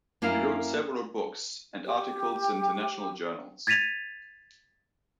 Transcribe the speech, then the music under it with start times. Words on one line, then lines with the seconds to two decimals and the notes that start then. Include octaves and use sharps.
He wrote several books and articles in international journals.
0.22 F#2 A#3 E4 A#4 F5 G#5
1.85 G4
3.67 G#6 A6 B6 D#7 F7